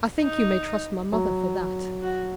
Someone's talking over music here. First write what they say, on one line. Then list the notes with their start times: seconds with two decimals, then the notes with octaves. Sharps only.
'I think you may trust my mother for that.'
0.22 D#4
1.13 F#3
2.03 F#4